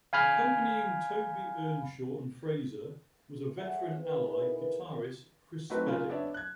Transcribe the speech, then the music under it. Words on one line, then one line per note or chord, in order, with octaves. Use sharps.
Accompanying Tobi Earnshaw and Fraser was a veteran ally, guitarist Chris Spedding.
F5 G#5 B5 F6
G#4 A4 C#5 E5 F#5
B3 D#4 E4 G#4 A#4 B4
F#3 A3 C4 D#4 F#4 B4
C#3 F4 A#4
B3 D4 C#5 D5 E5
F#6 G#6